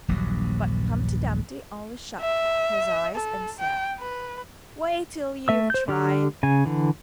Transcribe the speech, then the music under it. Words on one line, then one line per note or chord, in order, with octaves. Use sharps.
But Humpty Dumpty only shut his eyes and said 'Wait till you've tried.'
D#1 A#1 G2 F#3
E5
A4
G5
B4
A3 E5 E6
C5 G6
D3 G4 F6
C#3 G#5
D3 E3